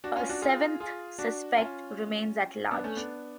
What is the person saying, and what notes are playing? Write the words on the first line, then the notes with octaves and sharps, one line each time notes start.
A seventh suspect remains at large.
D4 F#4
C#4 F4
D4 F#4
F4 G#4
F4 G#4
D4 F#4
C#4 F4
B3 D4
A3 C#4
B3 D4